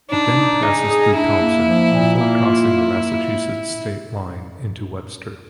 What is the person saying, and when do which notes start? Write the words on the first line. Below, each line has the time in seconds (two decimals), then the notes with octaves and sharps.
It then passes through Thompson before crossing the Massachusetts state line into Webster.
0.10 D4 D#4
0.36 D#4
0.62 D#4 G#4
0.88 G#4
1.14 D4 E4
1.41 A#3
1.67 F3
1.93 A#2
2.19 A#3 E4
2.46 F4
2.72 A#3